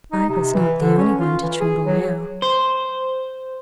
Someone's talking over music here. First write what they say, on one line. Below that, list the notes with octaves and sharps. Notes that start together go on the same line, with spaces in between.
I was not the only one to tremble now.
D#4
C3
E3
D3
C#4
F4
E3
G#4
F#3
C5